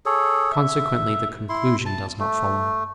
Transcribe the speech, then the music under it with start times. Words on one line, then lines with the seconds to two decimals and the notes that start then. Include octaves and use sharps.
Consequently the conclusion does not follow.
0.06 G#4 A4 C#5
0.52 E5
1.49 E4 C6
1.86 A5
2.19 A3